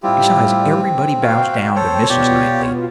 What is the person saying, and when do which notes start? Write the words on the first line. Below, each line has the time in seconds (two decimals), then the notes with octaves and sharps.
Besides, everybody bows down to Mrs. Knightley.
0.03 A2 G3 C4 E4 F4 G4
1.22 F#4 F5 G5
1.76 A4 C5 C#5
2.09 B2 B3 F4 G4 D5